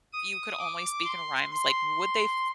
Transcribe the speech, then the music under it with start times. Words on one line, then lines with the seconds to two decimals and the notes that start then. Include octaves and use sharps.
you could only speak in rhymes, like, would they f
0.13 D#6
0.59 D6
1.05 C6
1.51 C6